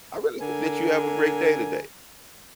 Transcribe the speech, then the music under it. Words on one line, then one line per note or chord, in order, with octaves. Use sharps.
I really hope that you have a great day today.
D3 A#4 G#5